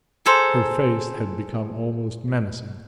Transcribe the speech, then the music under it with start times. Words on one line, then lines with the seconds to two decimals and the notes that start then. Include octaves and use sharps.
Her face had become almost menacing.
0.26 G#4 A4 C5 A#5